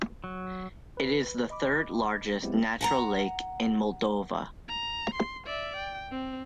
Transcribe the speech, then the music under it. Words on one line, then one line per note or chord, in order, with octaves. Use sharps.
It is the third largest natural lake in Moldova.
F#3
B4
D#5 B5 D6
F#3 G#3 B3 C4 E4 G4
F#5 G#5 A#5
A#5
C6
D5 E5
G5
C4